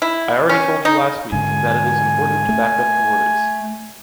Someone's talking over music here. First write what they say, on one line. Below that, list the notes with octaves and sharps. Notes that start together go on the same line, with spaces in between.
I already told you last week, that it is important to back up your words.
E4
C#4
D#4
G#2 D3 G#5
A3